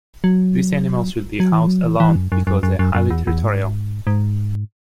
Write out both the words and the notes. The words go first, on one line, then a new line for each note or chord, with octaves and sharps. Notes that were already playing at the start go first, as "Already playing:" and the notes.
These animals should be housed alone, because they are highly territorial.
F#3
F#3
E3
F#3
E3
E3
F#2
F#2
F#2
F#2
F#2
F#2
E2
E2
G#2
G#2